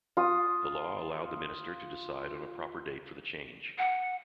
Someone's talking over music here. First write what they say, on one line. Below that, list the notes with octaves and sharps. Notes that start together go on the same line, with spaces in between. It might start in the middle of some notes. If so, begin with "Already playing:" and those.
The law allowed the minister to decide on a proper date for the change.
F4 D#6
F#5